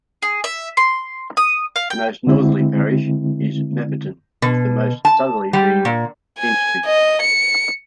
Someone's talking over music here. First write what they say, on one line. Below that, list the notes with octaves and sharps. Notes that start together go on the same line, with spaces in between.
The most northerly parish is Mapperton with the most southerly being Henstridge.
G#4
E5
C6
D#6
F5
G5
D3 G#3 C4 E4
B2
A5
G3
A#2
G#5
D#5
C#7